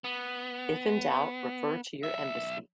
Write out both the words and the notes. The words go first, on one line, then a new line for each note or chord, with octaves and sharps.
If in doubt, refer to your Embassy.
B3
B1 E5